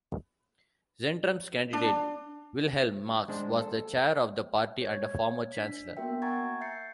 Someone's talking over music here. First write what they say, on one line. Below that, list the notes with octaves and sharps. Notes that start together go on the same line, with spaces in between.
Zentrum's candidate, Wilhelm Marx, was the chair of the party and a former chancellor.
D4
G#3 D4 C5
A4
C#5 G#6
D4 B6
A#3 B3 F#4 A#4 E5 G5
F#5 G#5 A#5 C#6 G#6 A6
E5 G6 A6 C7 C#7